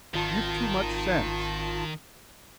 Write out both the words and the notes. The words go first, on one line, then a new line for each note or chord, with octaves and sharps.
You've too much sense.
G#1 D#3 F4 A5